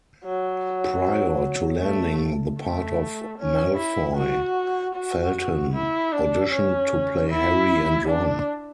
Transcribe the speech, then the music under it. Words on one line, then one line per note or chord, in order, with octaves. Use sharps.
Prior to landing the part of Malfoy, Felton auditioned to play Harry and Ron.
F#3
A3
A3
C#4
E4
F#4
F#4
E4
D4
C#4
E4
D4